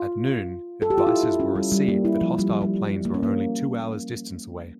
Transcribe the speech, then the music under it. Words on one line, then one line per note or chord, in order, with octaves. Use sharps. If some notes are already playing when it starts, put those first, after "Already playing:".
At noon advices were received that hostile planes were only two hours' distance away.
Already playing: F4
A4
G4
F4
E4
E4
C#4
G3
G3
A#3
E4
F3
G3
F3
G3
A#3
C#4
A#3